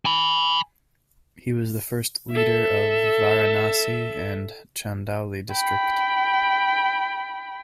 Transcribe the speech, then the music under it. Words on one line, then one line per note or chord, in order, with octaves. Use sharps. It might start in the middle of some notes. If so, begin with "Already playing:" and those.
He was the first leader of Varanasi and Chandauli district.
G#5 B5
A4 E5
G5 B5